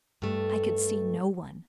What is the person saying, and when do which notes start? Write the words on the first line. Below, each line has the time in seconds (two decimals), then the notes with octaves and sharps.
"I could see no one."
0.22 G2 A3